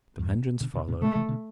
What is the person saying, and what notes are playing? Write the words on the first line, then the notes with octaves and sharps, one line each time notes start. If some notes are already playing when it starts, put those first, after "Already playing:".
The Vengeance followed.
E2 G2
B2 D3
B2 D3
A2 C3
B2 D3 A3
C3 E3
B2 D3